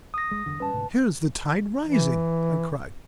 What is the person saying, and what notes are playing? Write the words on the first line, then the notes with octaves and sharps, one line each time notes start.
"Here is the tide rising," I cried.
D#6 A#6
G#3
F#1 E2 D3
G#1 G3 C#4 B4 A5
D2 G#2 C3
E3